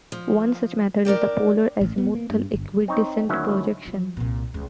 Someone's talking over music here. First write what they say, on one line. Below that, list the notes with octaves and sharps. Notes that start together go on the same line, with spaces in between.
One such method is the polar azimuthal equidistant projection.
F3
D4 A#4 D5 G5
A1
B3
A#3
G2
G1
C4 D#4 C#5
D2 D#3 F#3 C#4 E4 E5
F3 F#3
C2 A#2
C#2